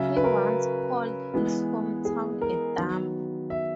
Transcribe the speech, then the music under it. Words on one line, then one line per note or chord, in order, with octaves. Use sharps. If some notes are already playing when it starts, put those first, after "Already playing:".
He once called his hometown "a dump".
Already playing: C#3 F#3 C#4 E5
B4
A#4
E3 G#3 B3
G#4
A#4
D#3 F#3 B3
E5